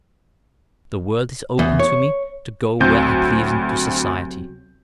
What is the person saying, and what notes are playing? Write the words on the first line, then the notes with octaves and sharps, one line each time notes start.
The world is open to me to go where I please into society.
E2
C#5
D2 C3 F#3 C4 G6